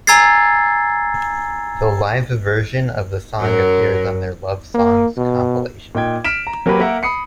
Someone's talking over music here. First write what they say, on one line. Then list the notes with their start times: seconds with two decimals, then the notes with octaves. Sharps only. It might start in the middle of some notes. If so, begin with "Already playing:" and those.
The live version of the song appears on their "Love Songs" compilation.
0.07 G#5 A#5 E6 G#6 A6 C7
3.39 F#2 F#3 A#4
4.74 A#3
5.17 B2
5.95 A#2 D#4 G5 G#6
6.25 F6 B6 D7 E7
6.47 A#5
6.66 F#3 A#3 G4 A#4 B4
6.79 A#3 A#4 E5 F#5
7.03 B5 D#6 C7 C#7